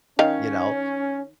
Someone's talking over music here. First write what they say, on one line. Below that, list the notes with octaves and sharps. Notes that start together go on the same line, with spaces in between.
you know?
D#3 C#4 D#4 F5